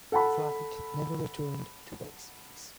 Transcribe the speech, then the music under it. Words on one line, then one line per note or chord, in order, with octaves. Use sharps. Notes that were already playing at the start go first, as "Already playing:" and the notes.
The flight never returned to base.
A4 F#5 A5 B5